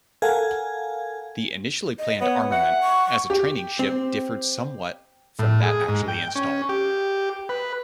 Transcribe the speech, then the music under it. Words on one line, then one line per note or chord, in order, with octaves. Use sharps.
The initially planned armament as a training ship differed somewhat from that actually installed.
A4 A#4 F5 F#5 G#5 G#6
D#5
B3 C#5
E5 F#5
C#6
G4
C4
A2
G#4
G#2
G5
C#4
G4
B4